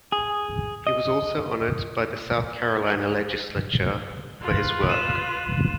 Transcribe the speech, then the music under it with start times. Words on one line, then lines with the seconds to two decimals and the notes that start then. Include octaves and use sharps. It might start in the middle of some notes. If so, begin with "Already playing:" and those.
He was also honored by the South Carolina Legislature for his work.
0.12 G#4
0.87 D#5
4.41 F4 B4
4.89 D#7 E7